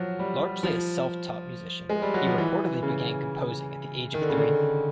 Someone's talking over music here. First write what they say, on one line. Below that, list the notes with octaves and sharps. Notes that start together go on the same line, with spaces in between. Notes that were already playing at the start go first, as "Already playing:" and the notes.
Largely a self-taught musician, he reportedly began composing at the age of three.
Already playing: F3 F#3
G3
F3
G#3
G3
F#3
F3
E3
C#3
D#3
D3
C#3
D3